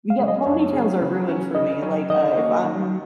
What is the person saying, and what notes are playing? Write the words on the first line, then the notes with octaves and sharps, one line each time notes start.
Yeah, ponytails are ruined for me, like, uh, if I'm
F5
C#3 F#3 C#4 G#4
D#5
F#2 C#5
C#3 F#3 C#4 G#4
C#3
F#3 C#4
C#3 D#5
F#3 C#4
D#3 D#5
A#3 C#4 F#4
D#3